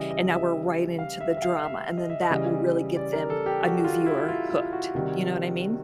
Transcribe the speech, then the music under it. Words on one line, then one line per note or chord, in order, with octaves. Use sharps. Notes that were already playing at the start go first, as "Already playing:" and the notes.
and now we're right into the drama, and then that will really get them, a new viewer, hooked. You know what I mean?
Already playing: C#3 E3 G3 D#5 E5
D#5
E5
F5
E5
E5
F5
F5
E5
D#5
E5
D#5
C#3 E3 G3
D5
A#4
A4
G4
F#4
F#4
F4
E4
F4
F4
F#4
C3 D#3 G3